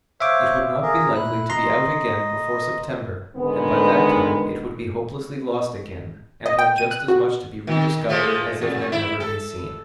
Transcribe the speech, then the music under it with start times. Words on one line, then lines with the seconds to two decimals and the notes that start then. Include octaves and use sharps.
It would not be likely to be out again before September, and by that time it would be hopelessly lost again, and have just as much to be rediscovered as if it had never been seen.
0.20 C5 C#5 E5 F5 D6
0.82 G#4 A#4
1.15 A#2 E4 F#6
1.49 D#5 A#5 C6
3.36 G#2 D3 D#3 G#3 B3
6.46 D#5
6.59 G5
6.78 D#7
6.91 F#6
7.08 F#4
7.67 D#3
8.09 F3 G#3 A3
8.61 F2
8.92 E4
9.20 A4